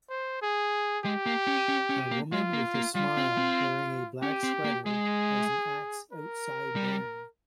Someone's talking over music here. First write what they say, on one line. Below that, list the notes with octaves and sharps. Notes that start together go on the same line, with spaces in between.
A woman with a smile wearing a black sweater has an axe outside down.
C5
G#4
G#3 G4
A#3
C#4
C#4
C#4
A#3
G#3 F4
A#3
A#3
G3 F4
C4
C4
C#4 G4
C4
A#3
G#3 G#4
A#4
G3